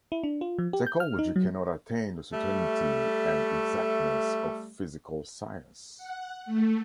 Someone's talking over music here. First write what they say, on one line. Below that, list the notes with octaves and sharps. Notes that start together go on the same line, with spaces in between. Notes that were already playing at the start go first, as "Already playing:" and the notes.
Psychology cannot attain the certainty and exactness of the physical science.
E4
D4
F4
F3
G4
G6
F6
D#4
F#3
G3 A3
F#5
A3